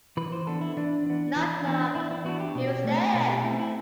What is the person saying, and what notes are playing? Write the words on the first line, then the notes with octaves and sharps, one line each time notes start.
Knock Knock, Who's There?
E3 B4
C5
B3 D4 A4
E4
E3 D4
B3 D4
E3
B3 D4
D4
E3 E4
E4
B3 D4 F#4
G4
B2
A3 C4
B2 B4
G4
A3 C4 E4
E4